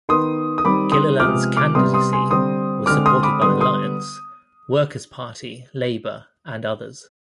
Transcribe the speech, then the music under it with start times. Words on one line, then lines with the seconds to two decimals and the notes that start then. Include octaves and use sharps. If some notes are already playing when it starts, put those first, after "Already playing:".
Gilliland's candidacy was supported by Alliance, Workers' Party, Labour and others.
0.09 D#3 B3 C6 D#6
0.58 D#6
0.64 D#3 G3 C4 B5 D6
0.92 C6 D#6
1.20 C3 F3 G#3 B3 D6 F6
1.57 D6 F6
1.75 C3 G3 B3 C6 D#6
1.94 C6 D#6
2.13 G#5 C6
2.31 D3 G3 C4 C6 D#6
2.86 D3 G#3 C4 D6 F6
3.06 C6 D#6
3.23 B5 D6
3.42 D3 G3 B3 C6 D#6
3.61 C6 D#6